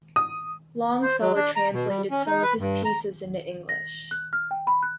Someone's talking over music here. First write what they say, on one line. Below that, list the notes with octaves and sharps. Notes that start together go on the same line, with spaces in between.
Longfellow translated some of his pieces into English.
D#6
C5
F#3
D4
A#5
B2
G3
C#4
D#4
B4
G2
A#5
A#6
F#6
F6
G5
B5
F#6